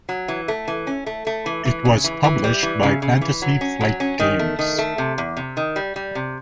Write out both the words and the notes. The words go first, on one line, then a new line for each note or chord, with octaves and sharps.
It was published by Fantasy Flight Games.
F#3
E3
A3
E3
C#4
A3
A3
E3
E3
C#3
E3
E3
G3
E3
C#3
C#3
E3
F#3
C#4
F#3
C#4
D#3
A3
D#3
A3
C3
E2
C3
D#3
G3
G3
C3